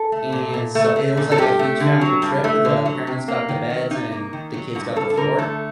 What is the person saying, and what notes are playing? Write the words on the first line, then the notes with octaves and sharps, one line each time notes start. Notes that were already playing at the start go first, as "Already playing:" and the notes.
and so it was like a huge family trip, the parents got the beds and the kids got the floor.
Already playing: A4
A3
A#2
A#2
A3
A3
A#2
A4
G2 G4
A3
D3
F#3
G2
A3
D3
F#3
C3
A#3
D#3
F#3
C3 D#4
A#3
D#3
F#3
G2 F#4
G2 A4
A4
D3 A#4
A3 A4